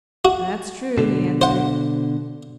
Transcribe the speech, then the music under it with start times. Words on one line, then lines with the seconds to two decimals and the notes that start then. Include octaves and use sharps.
"That's true," he answered.
0.25 F#4
0.98 B2 D3
1.41 C5 F#5